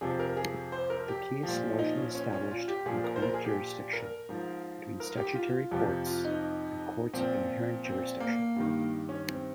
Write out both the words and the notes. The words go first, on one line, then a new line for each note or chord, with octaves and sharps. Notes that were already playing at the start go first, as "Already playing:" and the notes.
The case largely established concurrent jurisdiction between statutory courts and courts of inherent jurisdiction.
F2 C3 F3 G#4
A#4
G#4
C5
A#4
G4
F3
A#2
D#4
C#4
C#4
C#4
F4
G4
A#2 F3 G#4
A#4
C5
A#4
G#4
G4
A#4
G#2 F3
A#4
G4
F4
F2 C3 F3
F4
D#4
A#2 F3 C4
C4
A#3
G2 D#3
C#4
C4